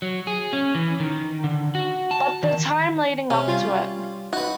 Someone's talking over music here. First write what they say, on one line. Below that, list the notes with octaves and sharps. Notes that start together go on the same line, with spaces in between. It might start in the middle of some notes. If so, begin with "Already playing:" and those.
But the time leading up to it.
F#3
G#4
C#4
E3
D#3
D3
F#4
A5
D#3
C3 C#4
G3 F4
D#4 F#4 B4